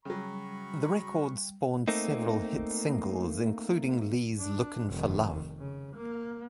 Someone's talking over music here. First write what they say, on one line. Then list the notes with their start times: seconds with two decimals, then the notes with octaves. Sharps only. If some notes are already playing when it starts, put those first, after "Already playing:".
The record spawned several hit singles, including Lee's Lookin' for Love.
0.05 C#3 F#3 G3 B5 C#6
1.88 A3 A#3 C4 D#4
4.39 D4
4.90 F1 D#3
5.59 C#3
5.96 A#3